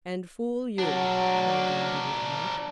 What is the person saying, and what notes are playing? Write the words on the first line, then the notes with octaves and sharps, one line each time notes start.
"And fool you!" cried the indignant Lark.
F#3 D4 A#4